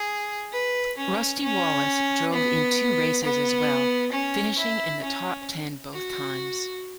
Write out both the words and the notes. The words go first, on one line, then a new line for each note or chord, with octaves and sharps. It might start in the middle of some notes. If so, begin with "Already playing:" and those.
Rusty Wallace drove in two races as well, finishing in the top-ten both times.
Already playing: G#4
B4
C#4
C#4
B3
B3
C#4
E4
C#4
F#4